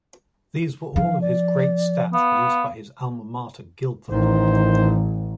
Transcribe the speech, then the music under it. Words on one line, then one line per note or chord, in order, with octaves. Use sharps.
These were all of his great stats released by his alma mater Guilford.
F3 D4 F5
D5
B3 F5
A1 D#3 C5